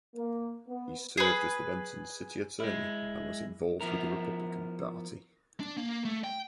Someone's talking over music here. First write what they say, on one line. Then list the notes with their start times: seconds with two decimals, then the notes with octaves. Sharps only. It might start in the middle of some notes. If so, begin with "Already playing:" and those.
He served as the Benton city attorney and was involved with the Republican Party.
0.16 A#3
0.68 B3
1.17 G#4 B4
2.60 G#3 E4
3.81 F3 B3 E4 A#4
5.60 D4
5.77 A#3
6.05 A3
6.24 G5